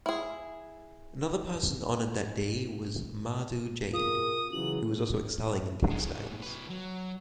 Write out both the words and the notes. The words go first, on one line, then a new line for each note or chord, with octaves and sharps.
Another person honoured that day was Madhu Jain who was also excelling in textiles.
E4 G#4
B2 F4 G#4 A#4 D#6
C#3 E3 F#3 G#4 F#7
A2 G#3
C2 B4
F#3